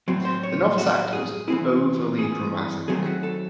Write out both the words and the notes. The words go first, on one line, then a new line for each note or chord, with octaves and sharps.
The novice actor was overly dramatic.
A2 F#3 C4
C5
C#5
F#4
G#4
E3 C4 E4 G#4
G#4
D#3 F#3 A3 C4 G#4
F#4
A4